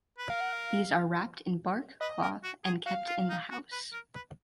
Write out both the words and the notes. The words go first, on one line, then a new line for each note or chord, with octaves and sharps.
These are wrapped in bark-cloth and kept in the house.
B4
A#4 F5
F#5
F5
B4 D#5
A#4
F#4
G#4
F#4 F5
F4
D#4
F#4
B4
A#4
B4